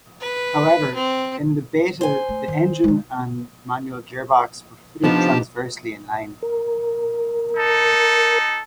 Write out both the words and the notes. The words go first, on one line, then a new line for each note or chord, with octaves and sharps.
However, in the Beta the engine and manual gearbox were fitted transversely in-line.
B4
C4
C5 G#5
A3
D#3
G#3 D4
C3 F3 B3 D4 D#4 G4 A5
A#4
D#4 A4